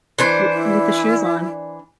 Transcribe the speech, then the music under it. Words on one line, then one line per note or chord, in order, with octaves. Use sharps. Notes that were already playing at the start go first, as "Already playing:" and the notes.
W with the shoes on.
E3 D4 C5
E4